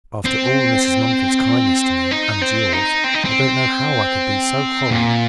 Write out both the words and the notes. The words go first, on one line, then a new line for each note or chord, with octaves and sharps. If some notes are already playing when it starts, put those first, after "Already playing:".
After all Mrs. Mumford's kindness to me, and yours, I don't know how I could be so horrid.
C4
D#4
C4
D#4
C4
D#4
C4
A#2